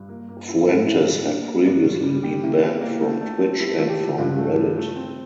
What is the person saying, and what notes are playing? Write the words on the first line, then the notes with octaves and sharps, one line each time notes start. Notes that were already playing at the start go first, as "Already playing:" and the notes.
Fuentes had previously been banned from Twitch and from Reddit.
Already playing: G2
A#3
A#3
E4
A2 C4
A2 E4
D4
G3
A#3 D4
A#3
G2
A#2
G3
G4
A#3 E4
G4
A#3
A3
A3
C4
E4 G4
A3 F4
G4
F3
G2 F4
A3
A3
A3
C4